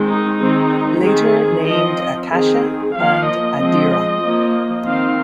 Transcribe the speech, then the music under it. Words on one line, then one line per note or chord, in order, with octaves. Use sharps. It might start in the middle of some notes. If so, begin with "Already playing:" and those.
Later named Akasha and Adira.
Already playing: D#3 G#3 C4
D#4
D#3 G#3 C4
D#3 C4 G#4
F3 C4 D#5
D#3 C4 G#4
F3 A#3 F5
D#5
F3 G#3 C4
F3 A#3
D#3 C4 F5